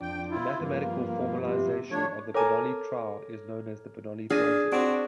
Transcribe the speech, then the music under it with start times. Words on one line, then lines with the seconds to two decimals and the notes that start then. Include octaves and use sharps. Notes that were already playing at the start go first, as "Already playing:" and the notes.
The mathematical formalisation of the Bernoulli trial is known as the Bernoulli process.
0.01 F2 D4 G5
0.31 E4 F4
0.60 G2 F3 A#3 B3
1.41 C3
1.91 F3 A3 D4 C#5
2.34 A4 A#4 C#5 G#5 A5 D6
4.30 D4 G#4 F6 A#6 D#7
4.72 C4 D4 F#4 D7